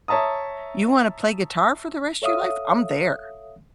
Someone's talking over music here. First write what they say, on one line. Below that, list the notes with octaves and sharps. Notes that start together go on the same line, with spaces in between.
You wanna play guitar for the rest of your life? I'm there.
C#5 E5 A5 A#5 D#6
A4 C#5 E5 F5 D#6